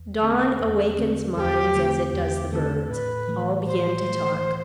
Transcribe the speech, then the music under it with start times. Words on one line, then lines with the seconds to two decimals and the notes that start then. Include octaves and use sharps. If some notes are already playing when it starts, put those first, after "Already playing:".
Dawn awakens minds as it does the birds; all began to talk.
Already playing: E2
0.22 D3 A3 C4
0.60 E2
0.99 D3 A3 C4
1.36 E2 G4 A4
1.75 D3 A3 C4
2.13 E2 G4
2.51 D3 A3 C4 A4
2.89 A2 B4
3.28 E3 A3
3.66 A2 C5
4.04 E3 A3
4.43 A2